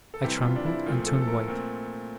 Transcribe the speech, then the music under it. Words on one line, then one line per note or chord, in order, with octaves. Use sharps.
I trembled, and turned white.
A4
C3 E3 G3 C4 G4
F4
D4
E4
A#2 F3 A3 C4 F4
A4
A4
A#4
A#2 A3 C4